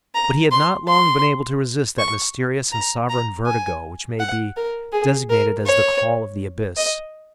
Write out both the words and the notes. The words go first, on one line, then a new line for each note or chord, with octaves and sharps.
But he had not long been able to resist that mysterious and sovereign vertigo which may be designated as the call of the abyss.
A#5
C6
C6
C#6
A#5
A#5
G#5
F#5
A#4
G#4
A#4
C#5
D#5